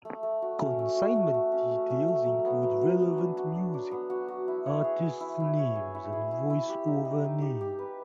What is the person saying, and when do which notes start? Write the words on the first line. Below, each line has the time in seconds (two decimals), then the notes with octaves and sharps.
Consignment details include relevant music, artists names and voice-over names.
0.05 A3
0.23 A3
0.42 F#4
0.60 C#4
0.79 A3
0.97 F#4
1.15 A3
1.34 F#4
1.52 C#4
1.71 A3
1.90 C#4
2.08 A3
2.26 F#3
2.45 B3
2.63 F#3
2.81 F#3
3.00 B3
3.18 D4
3.37 F#4
3.55 D4
3.74 D4
3.91 B3
4.10 F#4
4.28 F#4
4.48 E4
4.66 C#5
4.84 G#4
5.02 G#4
5.20 E4
5.40 E4
5.58 C#5
5.76 G#4
5.95 E4
6.13 G#4
6.31 E4
6.50 E4
6.69 G4
6.87 D#4
7.05 D#4
7.24 D#4
7.42 G4
7.61 G4
7.79 B4